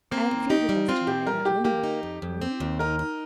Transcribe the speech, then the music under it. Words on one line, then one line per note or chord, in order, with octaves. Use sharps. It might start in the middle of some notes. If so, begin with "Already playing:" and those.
And feed with us to-night at Limpold, will you?
A#3 C4
D#2
D#4 G4
G3
C4 F4
A#2 G4
G3 A#4
A#2 G4
A#3 G4
D#4
F2
F2
C4
D#2
D#4 A#4
D#4